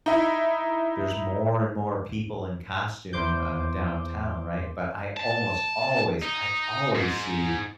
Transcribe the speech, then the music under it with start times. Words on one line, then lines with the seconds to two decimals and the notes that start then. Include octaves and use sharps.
there's more and more people in costume, uh, downtown, right, but I almost always, I always see
0.06 D#4 E4
3.13 E2 C5 D6 G6
5.17 A5
6.22 D#4
6.95 G#2